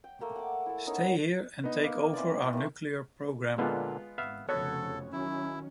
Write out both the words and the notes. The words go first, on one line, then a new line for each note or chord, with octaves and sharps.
Stay here and take over our nuclear programme.
G5
A3 A#3 G5
F#5 D6
E4 A4
B3 C#4 D#4 A#4
B3 D#4
A#3
C3 E3 D5
D#3 A3
A#2 D3 G#3 B3 F4
G#1 B3 E5 F5
F1 F2 C#3 B3 F#4 A4 C#5
D#3 F#3 C#4 E4